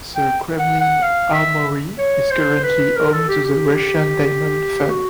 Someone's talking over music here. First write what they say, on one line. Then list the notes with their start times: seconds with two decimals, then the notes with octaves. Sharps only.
The Kremlin Armoury is currently home to the Russian Diamond Fund.
0.15 G5
0.59 F#5
0.81 F#5
1.02 F5
1.33 E5
1.98 C#5
2.31 C5
2.63 B4
2.96 A#4
3.12 A4
3.28 G4
3.44 G4
4.90 F#4